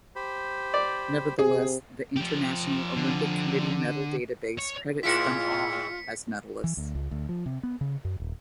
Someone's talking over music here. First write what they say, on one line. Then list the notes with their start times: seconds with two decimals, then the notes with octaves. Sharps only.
Nevertheless, the International Olympic Committee medal database credits them all as medalists.
0.16 G4 C5 B5
0.74 D5
1.39 C3 G#4
2.16 F3 G4
2.97 D3
4.59 C#5
5.03 A2 G#3 E4 F4 B6 C#7
6.64 E3
6.77 D2
6.95 C#2
7.11 D2
7.29 F3
7.46 C3
7.63 B3
7.81 C#3
8.05 F#2
8.20 D#1